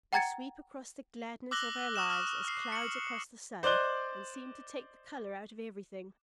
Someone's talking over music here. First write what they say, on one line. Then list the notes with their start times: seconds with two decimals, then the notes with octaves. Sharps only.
They sweep across the gladness of our lives as clouds across the sun, and seem to take the color out of everything.
0.13 F#5 G5 A#5 G#6 A6 C#7
1.51 D6 E6 F#6 A#6 F#7 G7
1.94 C#6 D#6 F6 E7 G7
2.10 F6 A#6
2.45 F6 C7
2.72 C#7 F#7
3.63 C5 D5 D#5 F#6 G7